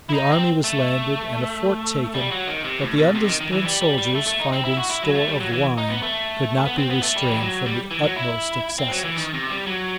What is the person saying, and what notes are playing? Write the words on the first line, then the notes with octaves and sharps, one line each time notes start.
The army was landed, and a fort taken; but the undisciplined soldiers, finding store of wine, could not be restrained from the utmost excesses.
E4
D#4
C4
A3
G3
F#3
D#3
C3
A2
B2
C3
D#3
D#3
E3
G3
G3
G3
A3
A3
D#4
C4
E4
F#4
E4
F#3
A3
G3
F#3
E3
D#4
B3
A3
B3
C4
B3
A3
G3
E3
F#3
G3
E3
F#3
E4
C4
F#3
E3
D#3
C3
G3
F#3